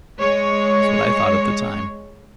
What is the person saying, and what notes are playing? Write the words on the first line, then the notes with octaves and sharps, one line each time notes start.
That was what I thought at the time.
G#3 C#5